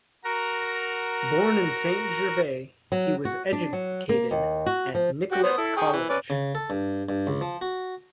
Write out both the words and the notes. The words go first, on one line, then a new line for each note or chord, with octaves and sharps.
Born in Saint Gervais, he was educated at Nicolet College.
F#4 A#4 A#5
F#3
F#4
D4
F#3
A#3
D#2
F#4
F3
F#4 G4
B3 C5 D#6
E4 A4
G#4 G5 C#6
E3
C#4 B4 D5
C#3
A4
G2
G2
C#2
F3
F#4